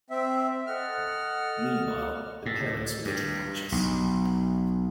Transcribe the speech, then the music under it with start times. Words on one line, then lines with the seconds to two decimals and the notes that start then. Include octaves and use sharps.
Meanwhile the parents were getting anxious.
0.10 C4 E5
0.67 A4 D#5 F#5 F6
2.46 A2
3.05 G2
3.72 B1